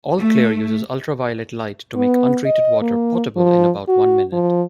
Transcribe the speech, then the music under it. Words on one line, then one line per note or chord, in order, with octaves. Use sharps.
All Clear uses ultraviolet light to make untreated water potable in about one minute.
A3
B3
D#5
A#3
F3
F#4
F3